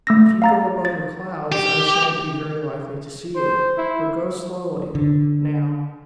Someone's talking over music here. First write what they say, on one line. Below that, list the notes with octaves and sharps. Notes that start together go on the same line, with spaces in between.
If you go above the clouds I shan't be very likely to see you. But go slowly, now.
A3 E6 A#6
F5 A#5 A6
A6
G4
C5
E4
D3